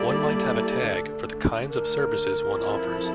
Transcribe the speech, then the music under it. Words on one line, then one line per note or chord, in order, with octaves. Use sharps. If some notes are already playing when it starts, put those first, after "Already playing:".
One might have a tag for the kinds of services one offers.
Already playing: G3 A#3 E4 G4 A4 D5
D3 A3 D4
A#4
F3 C4 E4 A4